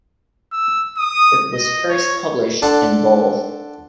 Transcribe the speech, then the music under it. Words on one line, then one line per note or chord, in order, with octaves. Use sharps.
It was first published in Bull.
E6
D#6
D#5
C#5
D4 A4 F#5 A5 C6